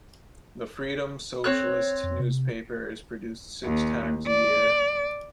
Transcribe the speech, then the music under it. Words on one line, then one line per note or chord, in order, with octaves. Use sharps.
The "Freedom Socialist" newspaper is produced six times a year.
C4 C#5 F#6
F2
C3
D#2
D5